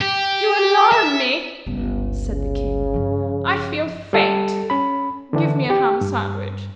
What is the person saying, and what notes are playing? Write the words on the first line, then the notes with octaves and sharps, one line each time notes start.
'You alarm me!' said the King. 'I feel faint--Give me a ham sandwich!'
G4
E5
G1 C#2
C#3
G2 F3
G3 A4
C#4 B5
D3 E3 D4
G4
G2